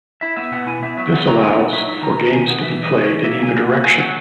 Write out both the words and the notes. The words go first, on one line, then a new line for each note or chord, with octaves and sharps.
This allows for games to be played in either direction.
E4 E5
B3 E5
B2 F#5
E4 G#5
B3 E5
F#3 E5
B3 F#5
F#3 A#5
B3 G#5
D#4 F#5
F#3 E5
D#4
D#3 A#5
D#3 A#5
D#3 G#5
D#4 F#5
E3 E5
E3
D#5
C#4
E3 C#5
A#3 E5
A#3 G#5
A#3
F#5
A#3
F#3 G#5
F#3 F#5